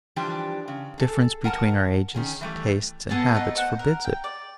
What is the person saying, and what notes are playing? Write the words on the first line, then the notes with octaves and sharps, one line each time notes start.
The difference between our ages, tastes, and habits, forbids it.
E3 F3 G3 D4 G4
C#3
G#4 A4
A#4 F#5 G#5 A5
D#3 C#4 G#4
E3 G3 A3
B3 G#4 A4 A5
A3 D#4 F#5
C5 F#5
A#4
G5
D5